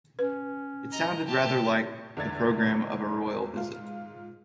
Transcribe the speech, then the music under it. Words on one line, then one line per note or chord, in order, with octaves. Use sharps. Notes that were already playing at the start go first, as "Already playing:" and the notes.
It sounded rather like the programme of a Royal visit.
C#4 B4
D#5 A#5
G4 A5
E2 D3 D4 G#6 A6
G#2 F4